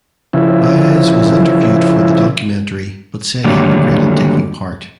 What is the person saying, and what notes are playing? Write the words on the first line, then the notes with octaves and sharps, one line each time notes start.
Baez was interviewed for the documentary but said he regretted taking part.
C#3 F3 E4
D3 D#3 F#3 G3 A3 A#3